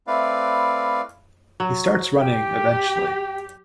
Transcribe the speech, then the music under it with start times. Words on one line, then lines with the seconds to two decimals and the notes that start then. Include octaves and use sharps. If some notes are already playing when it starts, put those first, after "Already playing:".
He starts running eventually.
0.07 A3 C4 E4 B4 D5 F5
1.60 F#3
2.20 G4 G5